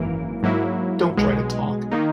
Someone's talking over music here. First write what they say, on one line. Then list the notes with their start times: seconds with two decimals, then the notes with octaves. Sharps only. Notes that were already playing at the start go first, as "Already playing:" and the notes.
Don’t try to talk!
Already playing: G#1 F#2 E3 A#3
0.42 G#2 F#3 A#3 E4
1.17 B1 B2 G#3
1.91 D#3 A#3 D#4